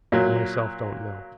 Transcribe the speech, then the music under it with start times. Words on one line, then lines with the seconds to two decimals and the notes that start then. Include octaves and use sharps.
I myself don't know.
0.12 A#2 F#3